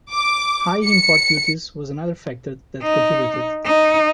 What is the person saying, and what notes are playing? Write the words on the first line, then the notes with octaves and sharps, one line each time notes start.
High import duties was another factor that contributed.
D6
C#7
D#4
D#4